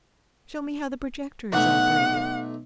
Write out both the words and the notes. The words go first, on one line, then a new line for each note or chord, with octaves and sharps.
Show me how the projector is operated.
B1 A3 F#5